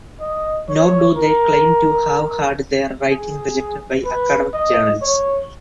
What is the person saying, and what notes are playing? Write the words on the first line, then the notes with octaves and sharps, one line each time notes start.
Nor do they claim to have had their writings rejected by academic journals.
D#5
C#5
A#4
G#4
B4
D#5
C#5